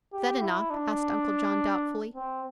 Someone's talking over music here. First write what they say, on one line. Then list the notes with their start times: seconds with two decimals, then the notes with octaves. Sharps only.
"Is that enough?" asked Uncle John, doubtfully.
0.13 G4
0.41 E4
0.70 D4
2.15 C4